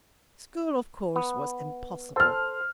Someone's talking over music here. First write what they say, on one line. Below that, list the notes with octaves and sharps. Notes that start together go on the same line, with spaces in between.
School, of course, was impossible.
B3
A4 C5 F6